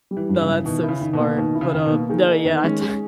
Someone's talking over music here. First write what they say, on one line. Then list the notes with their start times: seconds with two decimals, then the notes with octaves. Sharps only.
No, that's so smart, but, uh no, yeah, I t
0.11 G3
0.17 E3
0.29 G2
0.41 C#3
0.47 E3
0.65 B2 D#3
0.83 E4
0.89 C#3
1.01 D#3
1.13 B2
1.19 A#3
1.37 B2 D#3
1.55 E4
1.61 C#3
1.74 D#3
1.86 B2
1.91 A#3
2.09 D#3 G#4
2.27 A#3 D#4
2.45 D#3 B3
2.64 G#3 C#4
2.81 C#4 G#4